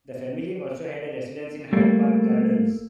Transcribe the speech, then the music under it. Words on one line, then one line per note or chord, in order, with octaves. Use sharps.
The family also had a residence in Hyde Park Gardens.
G3 A3 A#3